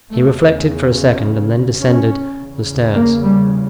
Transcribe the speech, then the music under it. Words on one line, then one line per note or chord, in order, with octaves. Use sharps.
He reflected for a second and then descended the stairs.
E2 C#3 A3
C#4
E2 C#3
A#3
G3